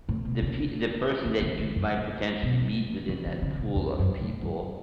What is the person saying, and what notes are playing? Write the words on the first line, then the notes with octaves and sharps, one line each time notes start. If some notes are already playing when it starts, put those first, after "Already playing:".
the p the person that you might potentially meet within that pool of people
A2
B2
C#3
C#3
C#3
C#3
F#2
A2
B2
C#3
C#3
C#3
B2
E2
F#2
A2
F#2